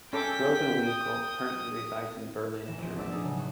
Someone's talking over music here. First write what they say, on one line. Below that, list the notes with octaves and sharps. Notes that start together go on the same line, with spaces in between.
Rosenwinkel currently resides in Berlin, Germany.
C#4 A4 G5 D6 B6
D#6
F1 E3 A#6 E7
A#1 F3
B2 A3 D5 E5 E6
D4 D#4 G#4
A2 C#3 F#3 A3 D#4
F#4 F#5 C#6